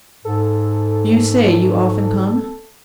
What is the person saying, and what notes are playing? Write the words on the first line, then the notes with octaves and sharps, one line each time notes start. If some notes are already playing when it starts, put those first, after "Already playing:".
'You say you often come?'
G#2 A4